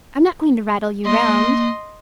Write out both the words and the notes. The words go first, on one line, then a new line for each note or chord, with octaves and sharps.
I'm not going to rattle you round.
A#3 D#5 C6